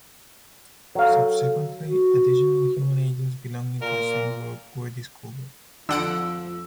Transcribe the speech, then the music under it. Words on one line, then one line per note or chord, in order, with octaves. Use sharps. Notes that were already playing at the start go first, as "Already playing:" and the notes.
Subsequently, additional human agents belonging to the same group were discovered.
F#3 A4 F5
F#4
A#2 A#4
F2 D3 F3 F#5 E6 D7